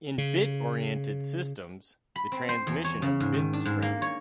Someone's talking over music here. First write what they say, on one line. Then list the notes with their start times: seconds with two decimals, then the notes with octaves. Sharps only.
In bit-oriented systems, the transmission of bit strings.
0.18 C#3
2.16 B5
2.32 C4
2.49 C5
2.67 E2
2.84 C#5
3.02 C#3
3.20 G#2
3.34 D#3
3.53 D4
3.65 G#2
3.82 A#3
4.02 C#5